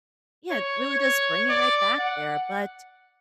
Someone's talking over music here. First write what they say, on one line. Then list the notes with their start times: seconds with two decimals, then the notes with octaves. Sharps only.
yeah, it really does bring you right back there. But,
0.50 C#5
0.99 C#5
1.49 D5
1.99 F#5